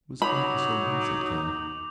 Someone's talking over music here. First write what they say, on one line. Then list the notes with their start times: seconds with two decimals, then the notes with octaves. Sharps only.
"It was hard to say whence it came."
0.22 F#3 D#4 B5 D6 F7 F#7